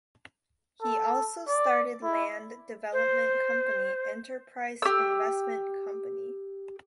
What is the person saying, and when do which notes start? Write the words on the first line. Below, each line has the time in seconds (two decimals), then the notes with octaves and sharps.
He also started land development company Enterprise Investment Company.
0.82 A4
1.48 D5
2.03 E4
2.93 C5
4.82 G4 E6